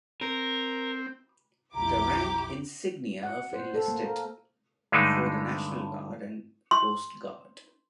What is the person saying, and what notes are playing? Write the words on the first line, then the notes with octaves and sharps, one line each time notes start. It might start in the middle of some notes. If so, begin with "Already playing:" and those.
The rank insignia of enlisted for the national guard and coast guard.
C4 A#4
B1 F2 E4 G4 A#5 D6
F#5
C5
A4
A#3
A#4
G2 D3 G#3 A3 D#4
C6